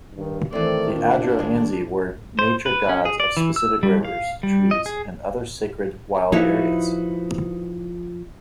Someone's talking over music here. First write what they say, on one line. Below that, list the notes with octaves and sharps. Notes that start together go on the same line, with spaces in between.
The Adroanzi were nature gods of specific rivers, trees and other sacred wild areas.
G2 D#3
D#3 E3 A3 C4 D5
A#2 D4
D#3 G#3 G#4
C5
B4
C#4
G#4
D5
E3
E6
G3
F5
G3
D#5
G#4
F3 D#4 E4 F#4 B4 C#5